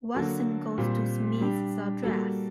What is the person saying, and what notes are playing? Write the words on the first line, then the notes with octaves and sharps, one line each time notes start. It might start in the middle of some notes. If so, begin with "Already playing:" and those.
Watson goes to Smith's address.
D3 F#3 A#3 F#4 A4
A#2 G3 C4
G3 D4 G4
G3 A#3 F#4 A4